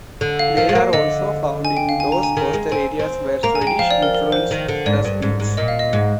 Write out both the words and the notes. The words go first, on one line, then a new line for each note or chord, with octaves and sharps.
They are also found in those coastal areas where Swedish influenced the speech.
D3
F5
F3 F5
G#3
A#3
D3 D#5
G#5
G5
F5
G#5
A#5
G#5
D#3
G#3
C4 G#5
C4
A#3 A#5
G#5
G#3
G5
F3 F5
D5
A#4
A#4
C5
D#3
D3
G#2 D5
G2
G#2
G#2
A#2 D#5
F5
D#5
G#2